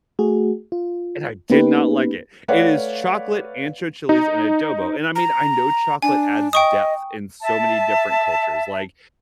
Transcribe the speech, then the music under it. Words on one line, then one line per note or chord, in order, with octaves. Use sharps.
and I did not like it. It is chocolate, ancho chilies and adobo, and I mean, I know chocolate adds depth in so many different cultures, like,
A3 F#4 G#4
F4
A#3 B3 C#4 D#4 G4 B4
A3 B4 C#5 D5 F5 F#5
D#4
A#5
D4 G#5
D#5 G5 C#6 D#6
E5 A5